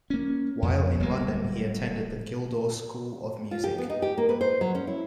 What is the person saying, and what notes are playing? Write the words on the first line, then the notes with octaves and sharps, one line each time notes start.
While in London he attended the Guildhall School of Music.
A#3 C#4
F2
D1 G3 A#3
F4
G4
B3
D#4
G4
A#3
B4
C5
F#3
C#4
E4